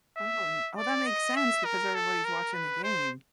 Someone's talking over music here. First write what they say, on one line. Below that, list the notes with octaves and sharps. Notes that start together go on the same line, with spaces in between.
Oh, oh, that makes sense because everybody's watching the game.
E5
D5
D#5
E5
A#4
A4
A#4
B4
C5